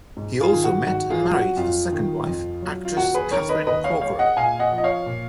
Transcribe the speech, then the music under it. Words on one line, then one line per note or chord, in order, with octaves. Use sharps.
He also met and married his second wife, actress Katherine Corcoran.
G#2
F4 G#4
D#3
F#4
G#2 F#4
F4 G#4
F#3
F#4
F2 F4
D#3
F2
F#3
F4
D#2 F#4
G#4 B4
D#3 A#4 C#5
B4 D#5
D#2 B4 D#5
C#5 F5
G#3 C#5 F5
D#5 F#5
A#2 F5 G#5
D#5 F#5
F3
D#5
C#5 F5
A#2